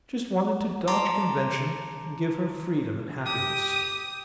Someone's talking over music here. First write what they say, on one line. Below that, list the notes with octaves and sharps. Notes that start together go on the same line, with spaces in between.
Just wanted to dodge convention, and give her freedom and happiness.
A5 A#5 C6 D6
G4 D#6